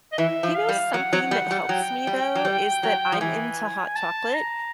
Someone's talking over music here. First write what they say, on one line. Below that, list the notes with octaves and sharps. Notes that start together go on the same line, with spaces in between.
Do you know something that helps me, though, is that I'm into hot chocolate,
D#5
E3 E5
F3
F5
G3
F#3 F#5
F#3
G3
G3
F#3 G5
G3
F#3
G3
F#3
F3
E3 G#5
A5
A#5